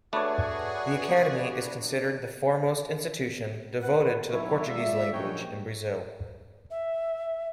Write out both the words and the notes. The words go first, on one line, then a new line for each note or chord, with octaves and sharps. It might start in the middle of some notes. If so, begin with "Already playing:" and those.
The Academy is considered the foremost institution devoted to the Portuguese language in Brazil.
A3 D4 F#4 G#4 B4 C#5 D5
B4 F#5
B1 E4 C#5
G#3 F4 D5 E5
A#1 F#2 D#4 F#4 C#5 G5
E5